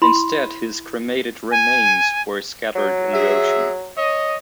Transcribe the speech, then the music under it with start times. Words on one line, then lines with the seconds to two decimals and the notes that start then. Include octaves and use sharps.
Instead, his cremated remains were scattered in the ocean.
0.02 E4 B5 C6
1.51 G#5
2.75 F#3
3.13 G#4 E5
3.97 C#5 D#5